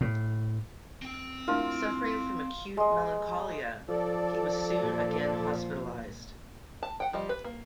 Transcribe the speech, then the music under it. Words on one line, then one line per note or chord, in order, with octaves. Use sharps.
Suffering from acute melancholia, he was soon again hospitalized.
A2
C4 G5
A3 D4 E4 F4 A#4
G#3 D#5
F3 A4 D5
A#2
A5
F#5 G5
F3 G3 D#5
B4
A#3